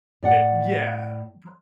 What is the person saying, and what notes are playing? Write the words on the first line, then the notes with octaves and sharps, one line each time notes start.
It yeah, pr
A2 D5 F#5